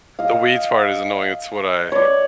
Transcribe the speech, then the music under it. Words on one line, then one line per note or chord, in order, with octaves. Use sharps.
the weeds part is annoying. It's what I
D#5 F5
C#5 D5